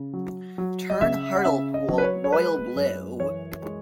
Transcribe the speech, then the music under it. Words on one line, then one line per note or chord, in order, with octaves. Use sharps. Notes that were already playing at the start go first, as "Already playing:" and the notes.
Turn Hartlepool Royal Blue.
Already playing: C#3
F#3
F#3
D#5
C#3 E5
F#5
C#3 E5
D#5
F#3
B4
C#5
C#5
G#3 B4
F#2
E3 C#5
G#3